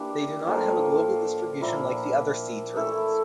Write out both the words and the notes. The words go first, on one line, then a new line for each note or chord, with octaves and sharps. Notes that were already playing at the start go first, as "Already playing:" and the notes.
They do not have a global distribution like the other sea turtles.
Already playing: E3 A#3 D4 G4
A2 F3 A#3 F4
A#2 F3 A#3 E4
E3 A3 E4 A4